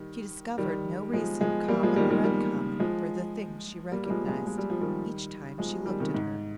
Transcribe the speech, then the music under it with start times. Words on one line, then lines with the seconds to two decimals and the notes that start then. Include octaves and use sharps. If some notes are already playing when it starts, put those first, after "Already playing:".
But she discovered no reason common or uncommon for the thing she recognised each time she looked at her.
Already playing: D#3 G3
0.58 D#3 G3
1.13 F3 G#3
1.41 F3 G#3
1.68 G3 A#3
1.83 F3 G#3
1.96 D#3 G3
2.10 D#3 G3
2.24 G3 A#3
2.80 F3 G#3
3.92 G3 A#3
4.05 G3
4.10 F3 G#3
4.28 F3 G#3
4.47 G#3
4.58 G3
4.70 F3
4.81 D#3 G3
5.58 F3 G#3
5.86 D#3 G3
6.00 C3 D#3
6.14 G#2